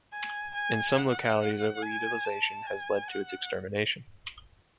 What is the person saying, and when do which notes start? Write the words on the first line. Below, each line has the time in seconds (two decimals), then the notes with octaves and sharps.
In some localities over-utilisation has led to its extermination.
0.13 G#5
0.55 G#5
0.97 F#5
1.82 G#5
2.25 A5
2.67 G#5
3.08 F#5